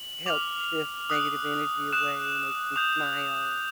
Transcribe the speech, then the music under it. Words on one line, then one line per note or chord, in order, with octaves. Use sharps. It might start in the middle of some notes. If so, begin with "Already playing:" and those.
help shift negative energy away, makes me smile,
Already playing: F#7
D6 F6 F7
D#6 F#6
D#6 F#6 E7
D#6 G6 F7